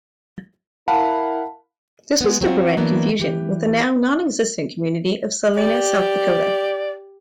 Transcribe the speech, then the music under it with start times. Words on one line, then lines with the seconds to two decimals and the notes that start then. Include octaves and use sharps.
This was to prevent confusion with the now non-existent community of Salena, South Dakota.
0.88 E4 A#4 F5 F#5 A5 B5
2.21 G#3 B3
2.41 F#3 C4 F4 F#4
2.77 E3 F#3 A#3 B3 D4 E4
3.19 E3 G4
5.57 G4 D5